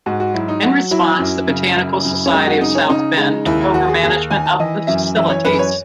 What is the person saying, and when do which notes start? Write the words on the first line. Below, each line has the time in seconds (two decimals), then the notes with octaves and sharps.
In response, the Botanical Society of South Bend took over management of the facilities.
0.06 G#2 F#4
0.20 F#4
0.34 F#3 E4
0.48 D#4
0.63 F#3 F#4
0.91 F#3 E4
1.19 F#2
1.48 C#3
1.76 F#2
2.05 F#2
2.26 C#4
2.32 G#3 D#4
2.47 F#4
2.61 C#3 D#4
2.75 C#4
2.89 C#3 D#4
3.17 G#3
3.46 D#2 E4
3.61 E4
3.74 D#2 F#4
3.89 G#4
4.03 D#2 G#4
4.31 D#3 G#5
4.46 A5
4.60 E3 D#5
4.87 F#2 E5
5.16 E3 E5
5.30 C#5
5.44 F#2 B4
5.59 C#5